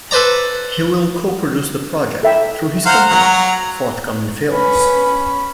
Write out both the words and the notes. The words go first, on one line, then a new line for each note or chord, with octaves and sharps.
He will co-produce the project through his company, Forthcoming Films.
A4 B4 C5 D5 A#5
A4 E5 G5
C5 F5 F#5 A#5
F#3 F#5
C#4 B4 B5